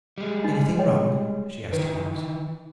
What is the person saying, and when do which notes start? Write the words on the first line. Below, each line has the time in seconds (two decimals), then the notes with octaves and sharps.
"Anything wrong?" she asked at once.
0.18 G3 G#3
0.43 D#4 G#5
0.79 C#5 D#5 G5
1.73 D#3 E3 B4